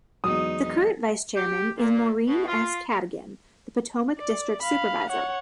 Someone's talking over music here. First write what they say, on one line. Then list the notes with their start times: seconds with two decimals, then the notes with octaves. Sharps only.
The current Vice-Chairman is Maureen S. Caddigan, the Potomac District Supervisor.
0.24 E2 F#3 G#3 D#4 F#4 D#6
1.36 G4
1.77 A#2
2.27 B2
2.48 F4
4.19 D5
4.61 F5 B5
5.10 C#5 F#5